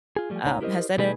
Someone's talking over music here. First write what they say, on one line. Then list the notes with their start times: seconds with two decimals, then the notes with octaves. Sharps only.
um, has that
0.17 F4 G#4
0.30 F3 G3 A3
0.44 C#2 A2 D#4 C#5 A#5
0.61 E4 G4 A#4 C5 D#5
0.98 B2 E3 A3 D#4 G#4 B4